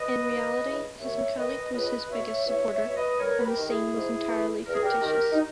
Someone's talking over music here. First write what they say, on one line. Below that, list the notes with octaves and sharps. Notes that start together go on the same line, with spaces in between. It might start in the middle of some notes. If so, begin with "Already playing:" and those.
In reality, his mechanic was his biggest supporter, and the scene was entirely fictitious.
Already playing: B4 D#5
D#2
C#3 E3
D#2 C#5 E5
D#3 B4 D#5
C#2 B4 D#5
B2 C#5 E5
E2 C#5 E5
C#5 E5
B2
B4 D#5
G2 A#4 C#5
B4
G4 A#4
D#3
E4 G#4
G#2
E3
E2 A#4
G#4
G4 A#4
D#3 G4 A#4
D#4